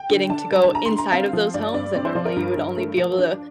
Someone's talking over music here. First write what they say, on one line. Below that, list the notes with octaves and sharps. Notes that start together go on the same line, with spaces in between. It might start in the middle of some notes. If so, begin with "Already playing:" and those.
Getting to go inside of those homes that normally you would only be able to
Already playing: G5
D3
D4 A5
G3
A5
D3 A#5
C6
D3
A#5
C4 F5
F3
G2 D5
G2 D5
C4 D5
C5
F3 D5
A#4
G2
G2
A3
F3
D4